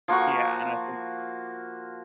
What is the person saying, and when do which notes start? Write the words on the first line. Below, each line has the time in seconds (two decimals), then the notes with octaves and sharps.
Yeah, and I think
0.08 F3 A#3 F#4 C#6